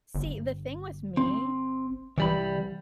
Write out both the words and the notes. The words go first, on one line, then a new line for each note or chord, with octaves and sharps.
See, the thing with me
G1
C4
C2 E3 G3 B5